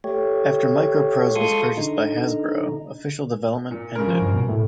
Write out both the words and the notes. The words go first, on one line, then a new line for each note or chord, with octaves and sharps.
After MicroProse was purchased by Hasbro, official development ended.
A3 G4 C#5
G#3 F4 A4 C6 C#6 D#6
D3 D#4
A#2
C#3 A#4
F3
G2
B2
A2